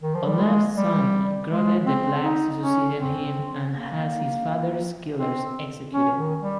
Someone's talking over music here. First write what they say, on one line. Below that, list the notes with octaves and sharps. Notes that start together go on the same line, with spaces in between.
Olave's son Godred the Black succeeded him and had his father's killers executed.
D#3
F3
G3
G#3
G3
G#3
C4
D#4
C#4
C4
A#3
C4
C#4
D#3
G3